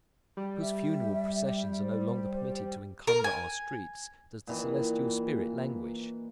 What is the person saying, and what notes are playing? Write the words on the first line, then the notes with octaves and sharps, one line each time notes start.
Because funeral processions are no longer permitted to encumber our streets, does the celestial spirit languish?
G3
E5
C5
A#4
G#5
A#2 D#3 E3